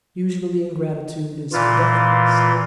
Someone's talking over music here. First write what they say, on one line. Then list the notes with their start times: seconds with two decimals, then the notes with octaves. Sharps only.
Usually, ingratitude is forgetfulness.
1.53 A#2 E3 F4